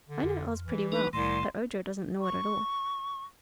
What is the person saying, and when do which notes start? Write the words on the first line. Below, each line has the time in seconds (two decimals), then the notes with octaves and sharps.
I know Oz pretty well, but Ojo doesn't know it at all.
0.08 D3
0.23 F2
0.62 E3
0.92 A#3 D4 D#4 B4
1.13 C2 A2 D#3 A3 C6
2.20 C#6